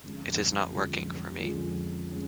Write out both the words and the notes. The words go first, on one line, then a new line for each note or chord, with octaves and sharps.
It is not working for me.
F2 D3 F3 G#3 C#4
F2 D3 F3 G#3 C#4
F2 D3 F3 G#3 C#4
G#3 C#4